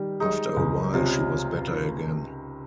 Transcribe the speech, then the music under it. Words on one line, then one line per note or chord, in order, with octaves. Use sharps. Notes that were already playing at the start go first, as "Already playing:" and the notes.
After a while she was better again.
Already playing: D#3 G3
G#3 D#4
C#2
C3 C#4 F4